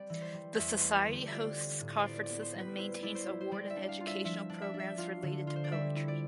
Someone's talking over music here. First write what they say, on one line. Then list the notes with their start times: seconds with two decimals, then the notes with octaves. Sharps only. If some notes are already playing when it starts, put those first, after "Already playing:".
The society hosts conferences and maintains award and educational programs related to poetry.
Already playing: G3 C4 D5
0.10 E3
0.22 C5
0.34 G3
0.58 E2 E5
0.77 C5
0.83 A3
1.07 D3
1.14 G4
1.28 F4 D5 E5
1.56 C4
1.81 A2
1.99 C5
2.05 B3 D5
2.24 D5
2.29 B3
2.42 C5
2.54 G3
2.60 B4
2.78 E4 C5
3.03 E4 D5
3.15 C5
3.27 E4
3.41 C5
3.51 G3 D5
3.70 E5
3.76 D4
3.88 F5
4.00 F4
4.07 E5
4.25 F3 E5
4.50 D4
4.62 E5
4.74 D4
4.80 E5
4.98 F4 F5
5.23 D3
5.47 F4
5.56 C5
5.64 D5
5.72 G3 E5
5.96 E4
6.08 D5